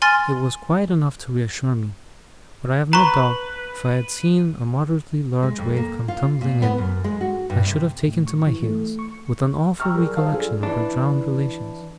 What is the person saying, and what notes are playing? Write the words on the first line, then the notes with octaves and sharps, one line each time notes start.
It was quiet enough to reassure me, but I have no doubt if I had seen a moderately large wave come tumbling in, I should have taken to my heels, with an awful recollection of her drowned relations.
G#5 C6 F6 A6
B4 A#5 C#6
G#3
F2
A#3
F4
A#2
B3
F#2
G#3
F#4
G2
C3
A2
C#6
E3
A3
C#6
G5 A#5 C#6 E6 F6
G3 G4 G#4 A#4
D#4 C5 F5 A5
G3 D4 F4 G#4 A4
E3 D4